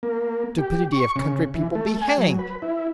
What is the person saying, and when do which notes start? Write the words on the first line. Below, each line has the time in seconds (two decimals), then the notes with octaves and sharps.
Stupidity of country people be hanged!
0.03 A#3
0.58 G4
0.92 C#6
1.16 C#3
1.55 E3
1.75 A3
2.02 G#5
2.18 F#3
2.39 B4
2.62 E4